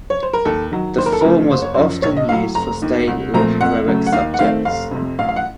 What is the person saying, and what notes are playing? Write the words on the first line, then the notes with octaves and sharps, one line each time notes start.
The form was often used for stately, or heroic subjects.
C#5
C5
A#4
D#2 A4
D#3 F#3
D#2 C5
A#4
A4
C#3 F3 A3 A#4
F#1 C5
C#5
F#2 F3 C5
A#1 C#5
D#5
A2 F#3 F5
F1 A#5
D#2 D#3
C2
A#2 F3 A3 C4 A#5
F2 F#5
C#3 F#3 A3
F#5
D#2 F5
F#5
D#3 A3 C4 F5
F1 F5
F2 C3
A1 F5
F5
F#5